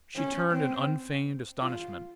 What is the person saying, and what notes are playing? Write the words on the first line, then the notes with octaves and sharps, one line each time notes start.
She turned in unfeigned astonishment.
C#4
C4
F4